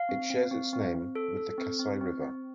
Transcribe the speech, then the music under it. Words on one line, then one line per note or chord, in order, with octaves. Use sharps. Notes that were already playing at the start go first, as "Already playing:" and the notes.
It shares its name with the Kasai River.
Already playing: F5
C4
C4
C4
C4
C4
A4
A4
C4
C4
C4
C4